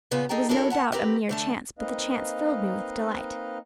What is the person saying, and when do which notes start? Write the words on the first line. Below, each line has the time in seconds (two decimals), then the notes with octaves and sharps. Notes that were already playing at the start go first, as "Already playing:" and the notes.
It was no doubt a mere chance, but the chance filled me with delight.
0.11 A#2 C#3 B3 F4
0.29 D#4 G#4 A4 G5 A#5
0.49 D4 E4 F#4 A4 A#4 C#5
0.70 B3 F#5 A5
0.92 C4 G4 A#4 B4
1.29 D3 A3 A5
1.79 A#3 C4 D#4 B4 D#5 F5